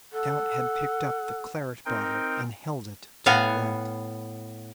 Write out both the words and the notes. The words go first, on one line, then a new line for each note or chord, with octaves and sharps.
The count had picked up the claret bottle and held it to the light.
A4 F#5
C4 D#4 A#4 G5
A2 B3 F5 F#5 G#5